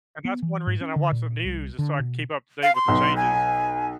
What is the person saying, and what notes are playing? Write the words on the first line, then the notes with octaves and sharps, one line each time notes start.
And that's one reason I watch the news is so I can keep up to date with the changes
B3
E3
G#2
C#4
D3
A#2
C2
D3
B2
F5
C6
B1
G#5